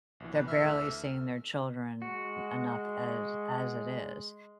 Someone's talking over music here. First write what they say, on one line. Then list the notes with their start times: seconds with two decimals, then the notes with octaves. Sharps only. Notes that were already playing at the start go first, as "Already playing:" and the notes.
they're barely seeing their children enough as as it is.
0.20 A#1 B2 E3
0.33 B4
0.47 E5 F6
0.61 D2 A4
2.02 G#3 F#4